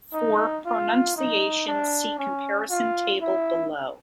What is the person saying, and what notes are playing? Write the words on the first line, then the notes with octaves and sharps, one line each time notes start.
For pronunciations see comparison table below.
D#4
F4
D#4
D4
C#4
F4
E4